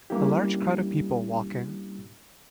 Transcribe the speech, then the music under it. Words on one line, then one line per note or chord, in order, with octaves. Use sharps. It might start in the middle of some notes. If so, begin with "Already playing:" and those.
A large crowd of people walking.
G3 A#3 C#4 D4 E4 G4